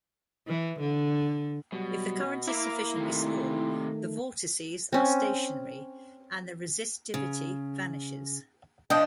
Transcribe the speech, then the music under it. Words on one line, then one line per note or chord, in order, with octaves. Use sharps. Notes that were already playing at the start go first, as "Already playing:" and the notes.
If the current is sufficiently small, the vortices are stationary, and the resistivity vanishes.
E3
D3
B2 F#3 G3
A#3 E4 A#5 D6
C3 D#3 A3 A#3
C4 C#4
C#3
F3 D4 D#5 G5